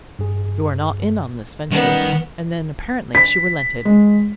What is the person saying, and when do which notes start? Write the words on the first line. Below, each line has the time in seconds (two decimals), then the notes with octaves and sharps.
"You are not in on this venture." And then apparently she relented.
0.19 G2 G#4
1.71 D#3 G3 B3 C#4
3.15 B6
3.85 G#3